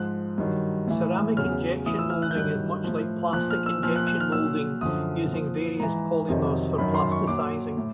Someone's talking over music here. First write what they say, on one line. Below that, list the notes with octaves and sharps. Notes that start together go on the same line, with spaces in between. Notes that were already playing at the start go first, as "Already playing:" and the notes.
Ceramic injection moulding is much like plastic injection moulding using various polymers for plasticizing.
Already playing: G#2 F3 F#6
G2 D#3 F#3
A2 E3
E2 C#3 F#3 F6
A2 E3 D#6
E6
F6
F#6
G6
G2 D#3 F#3 F#6
A2 F3
A#2 F3 F#6
F6
E6
A#2 F3 F6
F#6
F#6
F6
A#2 F#3 E6
F#2 D3 F3 D#6
A#2 F3
G#2 E3 A#5
F2 C3 D#3 F#3
F#2 D#3 F#3 B5
C6
C#6
A#2 F#3 D6
A2